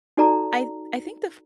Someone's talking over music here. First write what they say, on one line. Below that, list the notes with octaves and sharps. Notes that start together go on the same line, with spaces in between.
I I think the f
D#4 F#4 A4 D5 A5 A#5